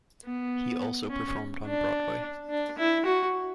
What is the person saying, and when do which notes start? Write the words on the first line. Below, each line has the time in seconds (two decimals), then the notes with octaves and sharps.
He also performed on Broadway.
0.25 B3
1.10 C#4
1.65 D4
2.50 D4
2.78 E4
3.05 F#4